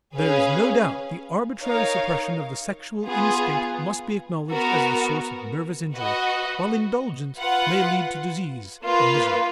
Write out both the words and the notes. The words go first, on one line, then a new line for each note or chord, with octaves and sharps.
There is no doubt the arbitrary suppression of the sexual instinct must be acknowledged as the source of nervous injury while indulgence may lead to disease and misery.
C#4 G#4 B4 F5
D#4 A#4 C#5 F5
B3 F4 G#4
B3 F#4 A#4
F#4 B4 D#5 F#5
F4 B4 F#5
A#3 F4 B4